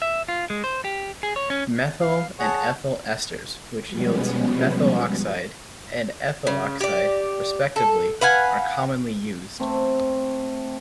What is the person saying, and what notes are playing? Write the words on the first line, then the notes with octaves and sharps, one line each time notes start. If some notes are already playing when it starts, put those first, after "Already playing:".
Methyl and ethyl esters, which yields methoxide and ethoxide, respectively, are commonly used.
E5
F4
G#3
C5
G4
G#4
C#5
C#4
F5
G#4 C#5 F#5 A5
B2 F3 G3 G#3 B3 C#4
C#3
G4 D5
A4
B4 F5 F#5 G#5
A3 C4